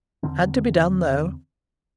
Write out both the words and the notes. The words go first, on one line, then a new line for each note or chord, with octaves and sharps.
Had to be done, though.
E2 D3 D#3 C4